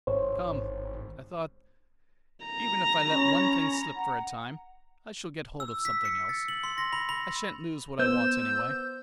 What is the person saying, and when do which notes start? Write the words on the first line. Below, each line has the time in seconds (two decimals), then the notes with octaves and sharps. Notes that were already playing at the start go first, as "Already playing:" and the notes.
Come, I thought--even if I let one thing slip for a time, I shall get hold of something else--I shan't lose what I want, anyway.
0.07 G#1 C5 C#5
2.46 A#5
3.08 C#4 B5 C#6
3.96 F#5 A#5
5.60 E6
5.85 B6
6.05 C#7
6.29 A6
6.48 F#7
6.63 C6
6.78 A#6
6.93 B5
7.09 B5
7.99 B3 C5 E6 G6